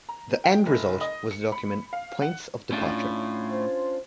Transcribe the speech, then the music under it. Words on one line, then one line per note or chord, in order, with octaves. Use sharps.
The end result was the document "Points of Departure".
A#5
G5
F1
D#5
C#7
B5
F5
F#5
A2 C#4 D4 F4
C5